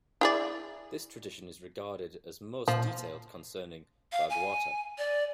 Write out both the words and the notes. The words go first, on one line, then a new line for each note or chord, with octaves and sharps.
This tradition is regarded as most detailed concerning Barghwata.
E4 G#4 D5
A#2 F3
F5
G#5
D5